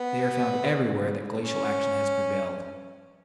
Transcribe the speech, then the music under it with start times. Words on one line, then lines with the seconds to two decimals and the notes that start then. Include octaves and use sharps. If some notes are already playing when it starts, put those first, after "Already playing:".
They are found everywhere that glacial action has prevailed.
Already playing: B3
1.38 C#4